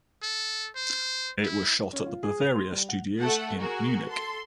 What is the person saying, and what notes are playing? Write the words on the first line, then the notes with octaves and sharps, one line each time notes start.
It was shot at the Bavaria Studios in Munich.
A4
C5
E4
C#4
F4
G#4
F7
C6
G3
F#5
A3 A4 F#5
F#4 G#4 A#4
A4 C6